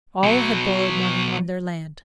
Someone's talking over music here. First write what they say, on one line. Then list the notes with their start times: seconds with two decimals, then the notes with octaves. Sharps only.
All had borrowed money on their land.
0.24 B2 F#3